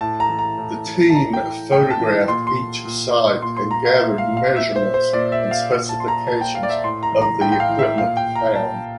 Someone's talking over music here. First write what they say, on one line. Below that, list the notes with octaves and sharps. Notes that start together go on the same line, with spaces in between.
The team photographed each site and gathered measurements and specifications of the equipment found.
A2 A5
A#5
E3
A#5
A2
E3
A5
A2 A#5
G5
E3
A2 G5
A5
E3
A#2 C6
C6
A#2
A#2 C6
C6
A#5
F5
A#2 E5
F5
F5
A#2 E5
C5
C5
A#2 D5
E5
F5
A#2
A5
C6
A#5
A#2 A5
G5
F5
D5
E5
A2 C6
A#5
E3
A#5
A2 G5
G5
F5
E3
E5
A#2 F5
G5
A#5
A#2 A5